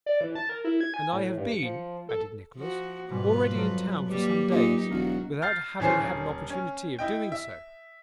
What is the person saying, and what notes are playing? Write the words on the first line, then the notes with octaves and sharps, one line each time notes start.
'And I have been,' added Nicholas, 'already in town for some days, without having had an opportunity of doing so.'
D5
E3
A5
A#4
E4
G#6
G#5
A2
G2
C#7
F3
A4
F3 F#4
F2 G#2 B2 G3 F4 B4
F#3 A4 A#4
G3 A#3 B4
A#2 D#4 G4
E1 F#4 A#4 F5
F6 G6 A6 C7
D1 E3 C#4 G#4 C5 C7
D#1 C#4
C#4
E4 D#5 G5
E5